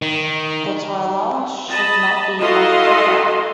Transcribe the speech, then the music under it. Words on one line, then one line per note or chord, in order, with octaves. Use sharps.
The Toller should not be buff or brown.
D#3
D#5 A5 B5
E4 F#4 A4 D#5 F5 C6